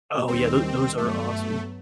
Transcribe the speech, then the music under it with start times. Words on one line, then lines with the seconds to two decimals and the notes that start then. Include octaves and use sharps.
Oh yeah, tho those are awesome.
0.27 D#2 D#3 G3 C4
0.97 G2 F#3 A3 B3